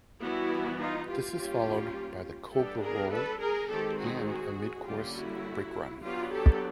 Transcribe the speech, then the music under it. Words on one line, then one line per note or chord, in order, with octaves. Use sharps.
This is followed by the cobra roll and a mid-course brake run.
E3 G3 B3 E4 F#4
D#4 F4
F4 G4
G3 A#3 C#4
G3 B3 D4 G4 A4
G#4 A#4
A4 B4
G#4 A#4
D#3 G#3 C4 G4 A4
F#4 G#4
F#4 G#4
D3 G3 A#3 C#4 F4 G4
E4 F#4
F#3 B3 D4 F4 G4
G4 A4